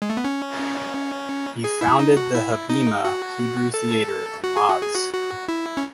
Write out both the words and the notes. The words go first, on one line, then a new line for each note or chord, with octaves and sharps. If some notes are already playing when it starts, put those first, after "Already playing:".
He founded the Habima Hebrew Theater in Lodz.
G#3
A3
B3
C#4
G#4
E4
D#4
F#4
E4
D#4
F#4
A4
F#4
G#4
F#4
G#4
F#4
F#4
E4
C#4